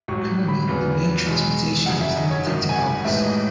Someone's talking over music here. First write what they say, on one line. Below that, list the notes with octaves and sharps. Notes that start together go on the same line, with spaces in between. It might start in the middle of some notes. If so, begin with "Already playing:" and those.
Currently, the main transportation is limited to boats.
A1 G#2 F#3 C#6
B5
E2 C#3 F#3 B3
B1 B2 G#3
F#1 F#2 C#3 F#5
E5
D#5
C#5
G#1 F#2 D#3 D#5
G#5
F#5
A1 G#2 E3 A3 E5
D#5